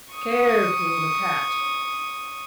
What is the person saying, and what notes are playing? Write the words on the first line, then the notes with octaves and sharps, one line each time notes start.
Care killed a cat.
C#6 D#6